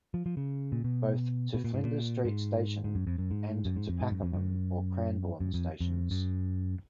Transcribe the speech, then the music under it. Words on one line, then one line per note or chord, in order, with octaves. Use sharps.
Both to Flinders Street station and to Pakenham or Cranbourne stations.
F3
F3
C#3
A#2
B2
B2
A#2
G#2
A#2
G#2
G#2
F#2
F2
F#2
G#2
F#2
G#2
F2
G#2
F#2
F2
F#2
F#2
F2
F2
F#2